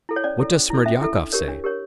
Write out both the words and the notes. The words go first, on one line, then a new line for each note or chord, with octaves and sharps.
What does Smerdyakov say?
E4 A4
C#5
C#4 D5
E4 A4
C#4
E4 A4
C#4 E5
E4 A4
D4
G4 A#4 C#5
D4
G4 A#4 C#5